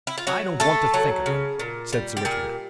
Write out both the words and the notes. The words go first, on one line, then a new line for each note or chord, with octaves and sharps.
"I don't want to think of them," said Sir Richmond.
E4
F4
F#3 F#4
A3 A4
F#3
C#3
A#2
G3
G4
A#2 G#4